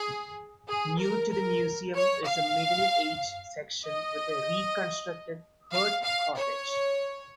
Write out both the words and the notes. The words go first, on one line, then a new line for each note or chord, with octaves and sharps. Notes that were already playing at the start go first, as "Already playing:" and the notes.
New to the museum is a middle ages section with a reconstructed hearth cottage.
Already playing: G#4
G#4
A#4
A#4
C#5
F5
D#5
F5
F5
C#5